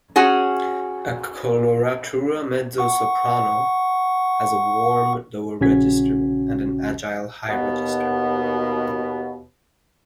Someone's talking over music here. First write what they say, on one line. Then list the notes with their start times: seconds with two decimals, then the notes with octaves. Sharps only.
A coloratura mezzo-soprano has a warm lower register and an agile high register.
0.16 C#4 F#4 G#4
2.78 F#5 C#6
5.60 A#1 C#3 C#4 F#4 G#6 B6
7.49 D#2 B2 B3